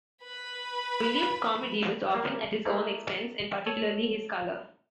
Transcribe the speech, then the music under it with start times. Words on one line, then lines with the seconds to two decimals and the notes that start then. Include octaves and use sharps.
Williams' comedy was often at his own expense, and particularly his colour.
0.23 B4 B5
2.10 G3 A#3
2.65 A3 A#3 D#4 E4
3.66 A4 C#5